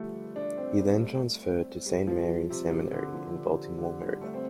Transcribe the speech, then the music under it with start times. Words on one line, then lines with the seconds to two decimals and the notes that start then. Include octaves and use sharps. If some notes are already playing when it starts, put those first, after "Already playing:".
He then transferred to Saint Mary Seminary in Baltimore, Maryland.
Already playing: D3 F3 G3 A3
0.36 D4
0.58 C4
0.79 G3
1.01 A3
1.43 C4
1.86 G3
2.07 F3
2.50 C3
2.71 C3
2.93 D3
3.14 F3
3.36 D3
3.78 D3
4.00 G3
4.21 A3
4.34 C4